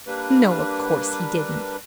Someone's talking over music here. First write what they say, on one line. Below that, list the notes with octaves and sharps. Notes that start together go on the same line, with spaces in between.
"No, of course he didn't."
G3 A#3 D4 B4